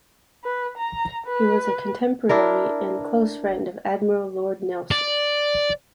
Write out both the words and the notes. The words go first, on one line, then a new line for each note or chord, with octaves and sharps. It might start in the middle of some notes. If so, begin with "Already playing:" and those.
He was a contemporary and close friend of Admiral Lord Nelson.
B4
A#5
B4
D4 E4 A#4
D5